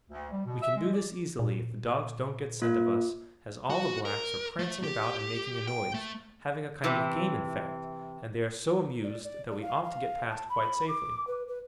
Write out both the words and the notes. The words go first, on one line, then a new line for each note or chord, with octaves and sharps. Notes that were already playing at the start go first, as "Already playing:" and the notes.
We can do this easily if the dogs don't get scent of us, as all the Blacks are prancing about and making a noise, having a kind of game in fact, and they are so amused that we ought to get past quite safely.
D2
G3
B2
E5
G#3
D5
A#2
A#3 F4
F#4
A#4
A3
G4
G5
A3
C3 E3
D5
D5
D5
F5
F5
A5
B5
D6
B4
B4